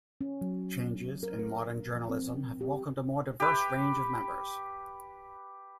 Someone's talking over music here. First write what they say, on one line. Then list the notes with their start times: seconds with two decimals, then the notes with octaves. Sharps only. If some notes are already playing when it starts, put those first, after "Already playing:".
Changes in modern journalism have welcomed a more diverse range of members.
0.21 C#4
0.41 F#3
1.23 A#4
1.39 A#4
1.95 F3
2.09 C4
2.61 G4
3.40 G4 B4